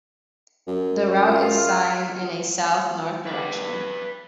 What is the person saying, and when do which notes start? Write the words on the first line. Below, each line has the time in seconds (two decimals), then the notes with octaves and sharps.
The route is signed in a south-north direction.
0.67 F#2
1.26 F4
3.27 B4 D5